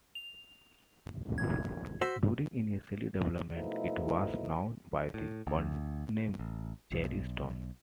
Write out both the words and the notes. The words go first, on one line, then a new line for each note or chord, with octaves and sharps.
During initial development it was known by the codename "Cherry Stone".
F7
G#6
F#4 C5 E6 B6
B2 F3 A3 A#3 D#4 E4
A2
D2
A1
B1